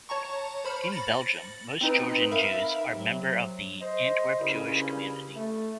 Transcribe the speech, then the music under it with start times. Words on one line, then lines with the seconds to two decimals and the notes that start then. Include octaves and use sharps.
In Belgium, most Georgian Jews are member of the Antwerp Jewish community.
0.09 C#5 A5 A#5 C#6
0.65 C5 B5 F6 C#7
0.92 A6 A#6 C#7 F#7
1.81 C4 D#4 B4
2.31 A#4 E5 F5 B5
2.90 C3 F#3
3.80 C5 D#5
4.40 G2 A#2 C#3 C#4 E4
5.34 A3